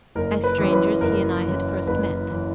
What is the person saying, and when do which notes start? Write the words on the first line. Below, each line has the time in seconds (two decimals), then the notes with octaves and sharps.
As strangers he and I had first met.
0.15 F#1 A#4
0.44 B4
0.58 F#2 E3
0.73 B4
1.01 F#1 A#4
1.44 F#2 E3
1.87 F#1 B4
2.29 F#2 E3